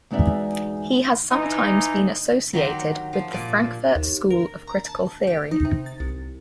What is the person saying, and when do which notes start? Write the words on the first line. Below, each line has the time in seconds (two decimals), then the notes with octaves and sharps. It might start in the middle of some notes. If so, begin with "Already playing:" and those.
He has sometimes been associated with the Frankfurt School of critical theory.
0.11 E2 G#3 D#4 F#4 D5 E5
1.31 E3 D#4
2.53 D#3 F#3 G4 C6
3.13 F3
3.33 A#2 D5
3.95 D#2
4.30 A#4
4.67 A#5
4.87 A5
5.27 G4
5.51 D#4
5.65 C3
5.86 A6
6.00 C2